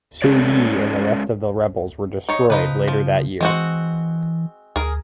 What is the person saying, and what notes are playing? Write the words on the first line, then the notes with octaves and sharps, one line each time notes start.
Su Yi and the rest of the rebels were destroyed later that year.
G#3 C#4 D#4 A4 C#5 D5
D#4 C#5
C#3 F3 D#4 B4
F3
E3 G#3 C4 F#4
D2 G#4 A#4